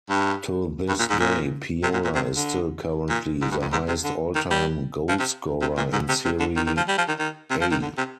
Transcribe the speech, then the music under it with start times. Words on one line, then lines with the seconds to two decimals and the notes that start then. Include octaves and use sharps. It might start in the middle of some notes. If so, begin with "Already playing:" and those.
To this day, Piola is still currently the highest all-time goalscorer in Serie A.
0.10 G2
0.88 G2
0.99 A#2
1.10 G#2
1.20 A#2
1.83 C3
1.93 A#2
2.04 A#2
2.15 C3
2.36 D3
3.09 A#2
3.41 G#2
3.51 G2
3.62 F2
3.72 G#2
3.88 C3
4.04 D3
4.35 D#3
4.51 G3
5.09 F3
5.19 C3
5.61 C3
5.77 A#2
5.92 G#2
6.09 C3
6.25 C3
6.39 D3
6.56 D#3
6.66 D#3
6.77 F3
6.88 G3
6.98 F3
7.08 D#3
7.19 D#3
7.50 C3
7.61 F3
7.71 D#3
7.82 D3
7.98 C3